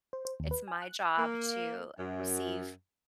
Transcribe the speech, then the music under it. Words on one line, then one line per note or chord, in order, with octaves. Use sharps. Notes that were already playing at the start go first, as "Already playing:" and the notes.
it's my job to receive
C5
C5
D#2
B4
G#5
F#6
A#3
F#2